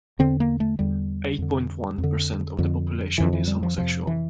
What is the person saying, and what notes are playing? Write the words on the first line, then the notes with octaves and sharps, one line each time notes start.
Eight-point-one percent of the population is homosexual.
E2 D3 C4
A#3
A3
E2 D3 G3
F2 D3
F2
D3
F2 D3
F2 D3 E3
E3
G3
F3
F2 C3 F3
E3